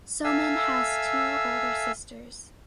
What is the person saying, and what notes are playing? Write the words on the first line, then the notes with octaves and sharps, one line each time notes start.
Somin has two older sisters.
A4 E5 F5 G#5 E6